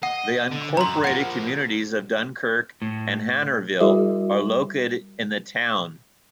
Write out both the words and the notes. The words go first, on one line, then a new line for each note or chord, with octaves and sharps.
The unincorporated communities of Dunkirk and Hanerville are located in the town.
D#5 F#5
D3
F#2 A#5 C6
F3 A#3 F#5 C#7
A2
G3 E4 F#4 G#4 A#4 E5